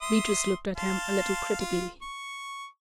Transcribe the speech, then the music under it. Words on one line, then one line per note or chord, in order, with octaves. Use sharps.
Beatrice looked at him a little critically.
E5 C6 D#6
F5 A5 C6
F4
C#6